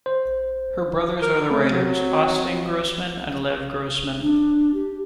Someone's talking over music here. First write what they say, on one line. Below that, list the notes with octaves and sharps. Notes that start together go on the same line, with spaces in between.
Her brothers are the writers Austin Grossman and Lev Grossman.
C5
A#4
A3 C4
F#3
D4
G4